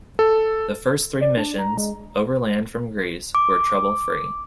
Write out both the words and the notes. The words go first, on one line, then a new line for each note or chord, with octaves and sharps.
The first three missions, overland from Greece, were trouble-free.
A4
D5
D4
A#5
G#3
D6